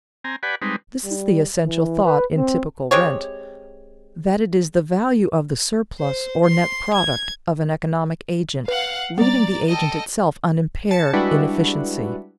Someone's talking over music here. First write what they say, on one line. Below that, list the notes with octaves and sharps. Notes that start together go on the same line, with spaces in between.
This is the essential thought in typical rent--that it is the value of the surplus, or net product, of an economic agent leaving the agent itself unimpaired in efficiency.
C4 G#5 A#5
G4 B4 D5 F#5 G#5 B5
G3 G#3 C4 D#4 B4
G3
E3
B4
C4
G#3 C4 G4 C#5
C5
C6
G#6
B4 F5 F#5
G3 B3 D5 A#5 A6
A4 D#5 G5 D#7
A5 A6 C#7
G3 G#3 D4 E4 F#4 B4